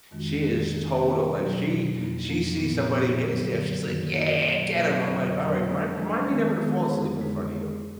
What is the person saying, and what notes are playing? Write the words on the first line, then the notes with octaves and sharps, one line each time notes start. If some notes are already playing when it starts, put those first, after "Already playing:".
she is total like, she she sees somebody getting stabbed, she's like, "Yeah, get 'em." I'm like, "Alright, mind remind me never to fall asleep in front of you."
F2 D#3 G#3 D4 F#4
F2 D#3 G#3 D4 F#4
D#3 A#3 D#4 G#4
D#3 A#3 D#4 G#4
B2 F#3 D4 F#4
B2 F#3 D4 F#4
F2 F3 A#3 D#4
F2 F3 A#3 D#4
A#2 F3 B3
A#2 F3 B3
F#2 D3 F#3
F#2 D3 F#3
F#2 D#3 A#3 D#4 F#4
F#2 D#3 A#3 D#4 F#4
B2 F#3 A#3
B2 F#3 A#3
F2 D3 F#3 D4
F2 D3 F#3 D4
F3 G#3 D4
F3 G#3 D4
D#3 G#3 B3 D4
D#3 G#3 B3 D4
F2 D3 G#3 D#4 G#4
F2 D3 G#3 D#4 G#4